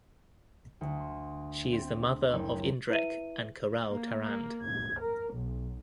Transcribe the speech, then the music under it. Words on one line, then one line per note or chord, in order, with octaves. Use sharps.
She is the mother of Indrek and Kaarel Tarand.
D2
C6
C4
F#1
E4 B4 E5 D#7
A#3
A#3
G#6
A#4
B1